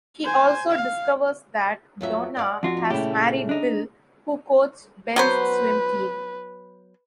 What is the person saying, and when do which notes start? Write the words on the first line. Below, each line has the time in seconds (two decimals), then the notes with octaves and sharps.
He also discovers that Donna has married Bill, who coached Ben's swim team.
0.24 C5 G#5
0.70 F5
2.01 F2 F#3 E5
2.37 D5 F5 F#5
2.63 F2 F4 F#4
2.77 D#4
2.90 A#2 C#3 A3 E4 G4
3.49 D4 D#4
5.16 F#3 B3 B4 C5